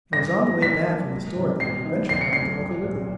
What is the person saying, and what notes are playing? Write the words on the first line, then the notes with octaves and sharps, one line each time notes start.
It was on the way back from the store that an adventure happened to Uncle Wiggily.
G2 A#6
D#3 G3 B3
A2 B6
F#3 A#3 D4
C#2
C3 D#3 G3
G2 C7
D#3 F#3 B3 D#4
D2 C7
C#7
D3 F#3 A3 C7
C2
A#2 F#3